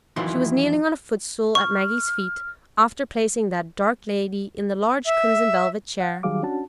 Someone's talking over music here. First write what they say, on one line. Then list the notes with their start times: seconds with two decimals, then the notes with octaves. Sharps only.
She was kneeling on a footstool at Maggie's feet, after placing that dark lady in the large crimson-velvet chair.
0.16 F2 D#3 E3 F#3 E4 C6
1.55 C#6 F6
5.05 E5
6.00 F#5
6.23 D#3 F#3 G3 G#4 F5 D6
6.43 C#4 D4 F#4 A5